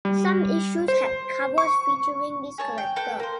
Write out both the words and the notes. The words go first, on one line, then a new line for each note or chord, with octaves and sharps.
Some issues had covers featuring this character.
G3
C5
C#6
G#4 C#5 A5
G5
A4 B4 G5
A#3 C5